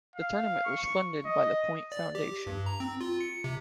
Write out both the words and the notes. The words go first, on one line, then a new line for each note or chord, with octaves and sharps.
The Tournament was funded by The Point Foundation.
F5
C#6
D#5
D5
G4
G2
A#5
C4
F4
C#7
C3